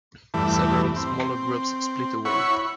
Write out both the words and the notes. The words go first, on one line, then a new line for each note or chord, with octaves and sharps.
Several smaller groups split away.
E2 G2 E3 A3
C4
E4 C#5 F#5 B5 C#6